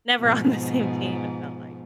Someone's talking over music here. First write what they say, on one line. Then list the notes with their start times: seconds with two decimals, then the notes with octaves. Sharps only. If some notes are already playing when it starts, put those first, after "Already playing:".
never on the same team, it felt like,
0.19 G#2 B2 F3